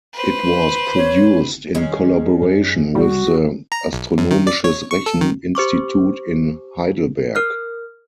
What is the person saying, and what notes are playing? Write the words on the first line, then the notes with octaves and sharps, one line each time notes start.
It was produced in collaboration with the Astronomisches Rechen-Institut in Heidelberg.
B4 C5
C#5
D#3 G3 G#3 C#4
F#2
C2 C#3 G3 C4 F#4
A#5
B1
F#2
D#3
D5
C#5
C#6
A4
D#3
G4 C5 C#6 D6
A#4 F6 F#6